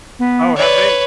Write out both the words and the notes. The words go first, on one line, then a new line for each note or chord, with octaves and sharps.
Oh, have they
B3
B4 C#5 D5